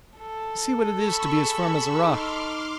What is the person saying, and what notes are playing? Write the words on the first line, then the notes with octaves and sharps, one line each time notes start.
You see what it is to be as firm as a rock!
A4
B5 C#6 E6
G#4
D#4 C6 D6 F6